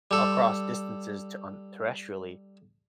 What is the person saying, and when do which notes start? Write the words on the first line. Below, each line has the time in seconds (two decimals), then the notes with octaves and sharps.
across distances to an thresh really.
0.11 G3 A4